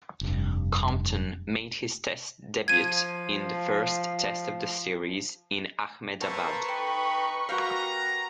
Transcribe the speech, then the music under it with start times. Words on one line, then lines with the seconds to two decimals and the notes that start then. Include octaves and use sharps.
Compton made his test debut in the first Test of the series in Ahmedabad.
0.21 F1 G2
2.68 F3 G#6 D#7
6.21 A#3 A4 B4 C5 A5 A#5 C#6
6.68 D#4 A4 G5 A5 B5
7.49 A#3 F#4 G4 A#4 F5 A#5